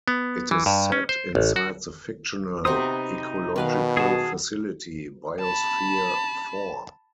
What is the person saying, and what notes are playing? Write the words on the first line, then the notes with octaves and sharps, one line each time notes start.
It is set inside the fictional ecological facility, Biosphere Four.
B3
E3
G2
C#4
C5
A1
F#4
C3 B3 D#4 F#4 C5 D#6
B2 D#3 B4 F5
F#4 G#4 A5
A5 B5